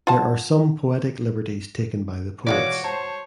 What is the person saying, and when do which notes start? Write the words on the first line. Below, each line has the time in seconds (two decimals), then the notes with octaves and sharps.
There are some poetic liberties taken by the poets.
0.07 F4 F#5 A5
2.47 B2 E3 G#3 F4 F#4 C#5 D5 D6
2.84 C5 C#5 A5